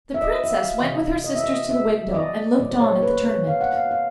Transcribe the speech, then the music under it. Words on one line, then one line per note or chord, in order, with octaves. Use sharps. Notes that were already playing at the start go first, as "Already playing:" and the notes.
The Princess went with her sisters to the window and looked on at the tournament.
E5
D#5
E5
F5
C3 E3 G#3 D#5
D#5
E5
D#5
E5
D5
D#5
A#2 G3 A#3 D5
C5
C#5
B4
C#5
F5
F#5
F5
F5